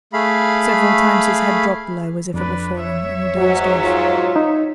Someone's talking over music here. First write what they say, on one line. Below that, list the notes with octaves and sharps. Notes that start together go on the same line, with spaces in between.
Several times his head dropped low as if it were falling and he dozed off.
A3 G#4 F5 B5
F2 D4 B4
C#5 E5
G#2 F#3 F#4
F4
D#4